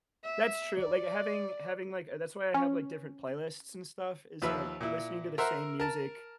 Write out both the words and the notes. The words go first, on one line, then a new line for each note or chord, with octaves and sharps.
That's true. Like, having having, like, a that's why I have, like, different playlists and stuff is, like, listening to the same music
E5
D5
C#4
D#2 F3 B4 E5 E6
A#2 E4
A#4 C5 E5 F#5 A#5
A#4 A5